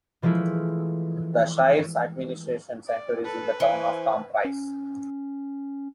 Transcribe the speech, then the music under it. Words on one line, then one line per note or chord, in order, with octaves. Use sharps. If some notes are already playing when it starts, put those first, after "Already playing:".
The shire's administration centre is in the town of Tom Price.
E3 F3 G#3 A3 E4 F4
D5
A4 B4
E3 C5 G#5
C#4